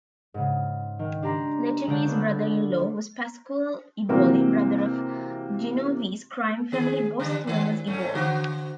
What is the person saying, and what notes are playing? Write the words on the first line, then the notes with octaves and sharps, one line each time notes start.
Lettieri's brother-in-law was Pasquale Eboli, brother of Genovese crime family boss Thomas Eboli.
G#2 C#3
D#3
D4 G4 A#5 C6
D3 G#3 F4 C#5 G6 D7
B3 D4 A4
C3 E3 A#3 C4 F#4
D#3 G#4
D3 G3 D4
D#2 D#3
G#2 A3 C#4
D3 F#4 C5